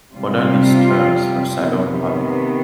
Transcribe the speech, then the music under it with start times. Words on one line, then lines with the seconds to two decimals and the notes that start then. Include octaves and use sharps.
What are these 'terms' for Cybermohalla?
0.14 C3 G3 C4 F4
1.66 C3 D#3 B3